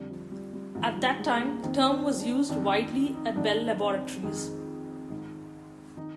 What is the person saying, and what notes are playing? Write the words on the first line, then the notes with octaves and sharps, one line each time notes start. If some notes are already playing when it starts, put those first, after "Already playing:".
At that time, the term was used widely at Bell Laboratories.
Already playing: F2 D3 G3
F3
G3
G3
G#2 D#3 F3
G3
G#3
A#3
F2 D#3 C4
C4
D4
F2 D#3 D4
D#4
G#2 D#3 D4
C4
F2 D#3 G#3
G#2 D#3
D#3 D#4